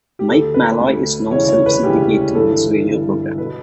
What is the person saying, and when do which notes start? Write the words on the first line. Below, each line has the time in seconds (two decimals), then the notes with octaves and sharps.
Mike Malloy is now self-syndicating his radio program.
0.19 G4
0.29 D2 D3 A4
0.54 B4
0.80 D2 D3
1.31 E1 D2 C#3 E3 C#5
1.48 C#5
1.66 B4
1.83 E1 D2 C#3 E3 G4
2.35 G1 G2 E3 A4
2.86 G1 G2 E3
3.38 B2 B4